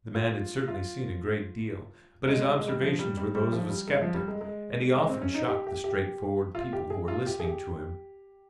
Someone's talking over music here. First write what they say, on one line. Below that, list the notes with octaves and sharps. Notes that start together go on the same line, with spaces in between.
The man had certainly seen a great deal, but his observations were those of a skeptic, and he often shocked the straightforward people who were listening to him.
F4
F4
G#3
G3
G#3
G3
F3
G3
G3
G3
F3
G3
G#3
F3
G3
G#3
G#3
G#3
C4
C#4
D#4
G4
G4
G4
F4
G4
G#4
F4
G4
G#4
G4